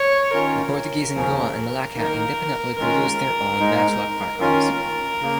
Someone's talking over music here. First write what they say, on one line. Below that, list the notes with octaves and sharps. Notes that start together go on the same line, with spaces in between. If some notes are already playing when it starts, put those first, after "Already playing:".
The Portuguese in Goa and Malacca independently produced their own matchlock firearms.
Already playing: C#5
D#3 C#4 F4 A#4
D#2 C#3 F3 C#4
D#3 A#3 D#4 A#4
D#3 G#3 C#4 F4 A#4
G#2 G#3 D#4
D#3 C#4 F4 A#4
C#3 A#3